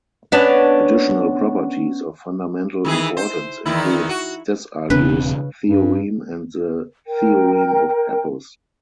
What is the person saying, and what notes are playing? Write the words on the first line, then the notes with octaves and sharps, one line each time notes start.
Additional properties of fundamental importance include Desargues' Theorem and the Theorem of Pappus.
B3 C#4 D4
D#3 E3 G#4
C5
E2 D#3 E4
F#4
E1 C#3 C4 D4 B4
G2
A#4 G5